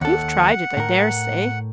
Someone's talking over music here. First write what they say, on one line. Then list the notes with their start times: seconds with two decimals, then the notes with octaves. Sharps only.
You've tried it, I dare say.'
0.01 D#2 A4 F#5
0.77 A2 A#4